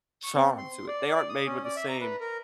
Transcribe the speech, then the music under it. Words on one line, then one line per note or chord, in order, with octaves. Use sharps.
charm to it. They aren't made with the same
C#6
C4
C6
D5
D5
D#6
C#4
D5
E5
A#5
B4
A#4